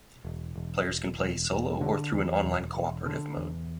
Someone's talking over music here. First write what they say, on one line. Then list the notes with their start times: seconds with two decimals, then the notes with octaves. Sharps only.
Players can play solo or through an online cooperative mode.
0.25 E1
0.56 E1
0.87 E1
1.19 E1
1.50 E1
1.81 D3
2.13 E2
2.44 E1
2.75 E1
3.06 D3
3.37 E2